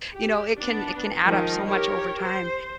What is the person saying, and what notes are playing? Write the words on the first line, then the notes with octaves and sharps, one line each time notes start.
you know, it can it can add up so much over time.
G4
B3 D4
D#3 F3 G#3 D#4 A#4
G4 A#4 C#5
C5